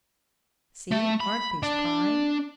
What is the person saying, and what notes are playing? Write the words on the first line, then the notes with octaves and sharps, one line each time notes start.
"See--aren't these prime!"
A3
B5
D4